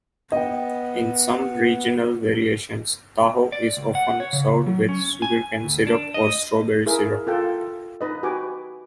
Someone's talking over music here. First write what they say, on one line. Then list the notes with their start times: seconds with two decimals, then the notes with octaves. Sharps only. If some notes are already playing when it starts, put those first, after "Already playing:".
In some regional variations, taho is often served with sugarcane syrup or strawberry syrup.
0.32 B3 D#5 G5
3.52 D5
3.77 C#2
3.95 F#5
4.20 C#5
4.33 C#3
4.66 F#3
4.89 C#4
5.22 G#5
5.64 D2
5.87 D4
6.14 D#5
6.86 E4 G#4 A#4 E5
7.27 F4 A4 G5 A5
8.01 D#4 B4 D#5
8.23 F#4 G4 B4 G#5 D6